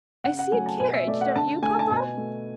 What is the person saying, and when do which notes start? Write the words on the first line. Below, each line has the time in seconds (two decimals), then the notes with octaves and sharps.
"I see a carriage; don't you, papa?"
0.24 C#3 F#5
0.39 F#5
0.52 F#3 A3 G#5
0.66 A5
0.80 B2 G#5
0.93 E5
1.07 A3 D5
1.21 F#5
1.36 D3 A5
1.62 A3 G#5
1.79 A5
1.90 B2 G#5
2.18 A3